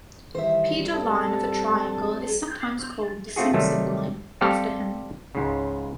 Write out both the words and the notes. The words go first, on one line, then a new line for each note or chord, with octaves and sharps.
The pedal line of a triangle is sometimes called the "Simson line" after him.
D#3 E3 G3 C5 E5
G2 C4 A4 A5
A3 C4 F4 F#4 G#4
C3 D#3 F#3 G3 A3
G3 C4 G4 A4 C5 F5
C#2 G#2 C#3